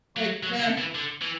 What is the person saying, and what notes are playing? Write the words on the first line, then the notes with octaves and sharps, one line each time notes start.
Like the
F#3
F#3
D3
E3
D3
E3